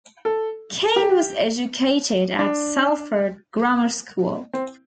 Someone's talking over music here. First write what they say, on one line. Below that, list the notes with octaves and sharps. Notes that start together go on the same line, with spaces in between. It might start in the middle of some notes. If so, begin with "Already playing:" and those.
Caine was educated at Salford Grammar School.
A4
G4
D4
C4